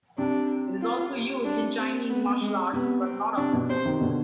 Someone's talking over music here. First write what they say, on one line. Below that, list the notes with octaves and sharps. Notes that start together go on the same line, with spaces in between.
It is also used in Chinese martial arts but not often.
C3 D4
F4
D4
C4
B3
G#3
C3 B3
C4
C3 D4
B2
C3 C5
C3 D#3
B2 D3